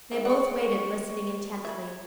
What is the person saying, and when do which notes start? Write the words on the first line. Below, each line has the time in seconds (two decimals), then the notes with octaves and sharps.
They both waited, listening intently.
0.12 D#3 E4 G#4 C5 G5
0.25 D5 F#5 C#6
1.65 F4 E5 B5 G#6